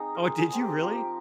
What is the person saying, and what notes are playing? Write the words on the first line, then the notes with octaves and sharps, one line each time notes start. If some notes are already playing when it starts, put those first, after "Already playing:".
Oh, did you really?
Already playing: C4 D#4 G#4
A#4
G#3
G#4
C4
G4
F3 G4